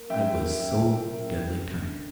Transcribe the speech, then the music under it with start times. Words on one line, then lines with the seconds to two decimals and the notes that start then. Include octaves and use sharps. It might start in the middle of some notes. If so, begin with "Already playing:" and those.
I was so deadly tired.
Already playing: A#3
0.10 F#2 E5 G5
0.33 A#3
0.59 F#2
0.82 A#3
1.06 A#3
1.30 E3
1.54 F#2
1.79 D3